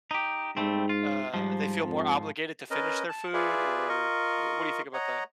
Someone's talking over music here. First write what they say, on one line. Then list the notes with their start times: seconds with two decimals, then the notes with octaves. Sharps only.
uh, they feel more obligated to finish their food or wh what do you think about that?
0.11 D#4 G4
0.57 G#2 G3 A3 C4
0.89 F4
1.34 G#2 F3 G3
1.84 F2
2.71 C#4 A#4 B4 D#5
3.09 A5
3.34 F4 G#4 B4 D5 E5
3.89 F4 A#4 D#5 C#6
4.94 C#5 D#5 F#5 A#5